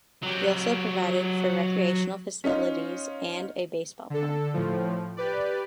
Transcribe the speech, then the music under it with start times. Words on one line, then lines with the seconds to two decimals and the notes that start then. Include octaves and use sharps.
He also provided for recreational facilities and a baseball park.
0.23 F#3 G4
2.44 C#4 D#4 F4
4.10 D3 A4
4.54 A2 F3
5.17 G4 B4 D5